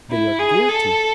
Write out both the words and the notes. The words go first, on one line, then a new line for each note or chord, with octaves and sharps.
"Then you are guilty."
E4
G#4
A4